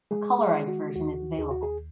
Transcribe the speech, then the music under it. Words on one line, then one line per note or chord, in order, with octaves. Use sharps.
A colorized version is available.
G#3 G#4
G#4
D#3
F#4
D#2 F#4
D#2 G#4
F#4
G#4